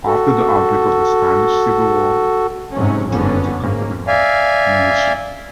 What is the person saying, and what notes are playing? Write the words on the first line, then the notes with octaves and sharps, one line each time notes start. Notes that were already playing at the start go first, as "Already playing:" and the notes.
After the outbreak of the Spanish Civil War joined the confederal militias.
F#4 A4
G#2 C3 F#3 C#4
F#1 F2 D3 B3 C#4
G#2 C#3 A#3
D5 E5 F5 G#5